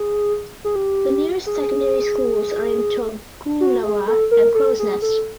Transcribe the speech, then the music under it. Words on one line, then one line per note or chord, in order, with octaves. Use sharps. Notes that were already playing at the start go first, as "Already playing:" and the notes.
The nearest secondary schools are in Toogoolawah and Crows Nest.
Already playing: G#4
G#4
G4
G#4
F#4
G#4
A4
A#4
A4
G#4
A4